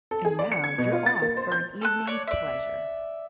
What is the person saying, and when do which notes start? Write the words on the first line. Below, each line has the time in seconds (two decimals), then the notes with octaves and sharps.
And now you're off for an evening's pleasure.
0.11 A4
0.25 G#4
0.39 D5
0.52 C#7
0.64 G#6
0.78 B2
0.92 F4
1.06 A6
1.22 A#3
1.37 C5
1.52 G6
1.81 A4 E6 F#6
2.07 C#5 D5
2.27 D5 E5